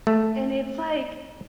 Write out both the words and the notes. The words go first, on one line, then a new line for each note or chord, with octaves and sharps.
and it's like,
A3